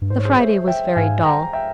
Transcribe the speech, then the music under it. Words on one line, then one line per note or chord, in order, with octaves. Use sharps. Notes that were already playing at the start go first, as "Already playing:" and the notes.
The Friday was very dull.
G2
G#2 C5
C#5
G#4 C5
C5 E5
E5 G5
G#2 F5 G#5
G5 A#5
E5 G5